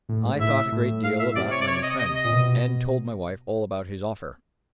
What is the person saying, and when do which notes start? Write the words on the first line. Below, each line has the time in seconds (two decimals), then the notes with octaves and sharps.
I thought a great deal about my new friend, and told my wife all about his offer.
0.09 A2
0.25 G#2
0.41 A2 E5
0.72 A2
1.04 F5
1.19 E5
1.36 C3 D5
1.51 C#5
1.61 D5
1.68 C#5
1.83 D#5
1.99 D#5
2.15 D#5
2.24 A#2
2.32 B2